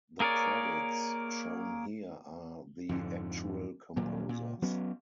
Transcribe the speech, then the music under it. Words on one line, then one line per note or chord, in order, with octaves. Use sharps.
The credits shown here are the actual composers.
A#3 G#4 A#4 C#5 D5
F2 G#2 D3
D#1 A#2 F#3
A#2
F#3 B3 C#4